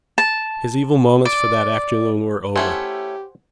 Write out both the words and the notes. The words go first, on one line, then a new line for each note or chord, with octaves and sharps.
His evil moments for that afternoon were over.
A5
D5
A3 C#4 E4 G4 C5 F#5 G#5